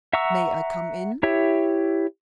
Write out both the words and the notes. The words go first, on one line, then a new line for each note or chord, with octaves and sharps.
"May I come in?"
E5 F#5 A#5 C#6 E6
E4 G4 C#5 E5